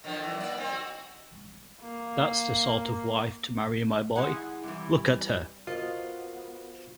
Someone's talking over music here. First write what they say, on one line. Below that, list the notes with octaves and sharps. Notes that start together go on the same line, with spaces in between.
That's the sort of wife to marry, my boy. Look at her.
D3 D#3 F3
F#2 E3
A#3 D5
D#3 G#3 C4
F#4
A#3
G#3 E4 G#4 F#5
C3 E3 G3
B3 F4 F#4 A#4 C5 D#5